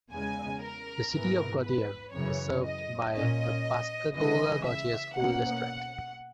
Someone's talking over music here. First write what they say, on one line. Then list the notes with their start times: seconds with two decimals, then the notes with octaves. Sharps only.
The City of Gautier is served by the Pascagoula-Gautier School District.
0.11 E2 C#3 G#3 G#5
0.62 A#4
1.12 G#2 E3 B3
1.63 B4
2.13 F#2 C#3 E3 C#5
2.63 D#5
3.14 A#2 A#3 C#4 D#5
4.15 C#3 E3 G#3 D#5
4.65 E5
5.16 B2 A#3 C#4 F#5